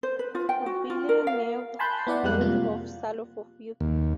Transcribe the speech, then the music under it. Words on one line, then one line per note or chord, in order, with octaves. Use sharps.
Villeneuve held off Salo for fifth.
C5
B4
F4
G5
F#4
F4
A#4
F5
G#5 A5 B5 C6 F#6 G6
B3 E4 D5 F#5
F2 G3 G#3 G4 F#6
C3 A#3 F4
D#2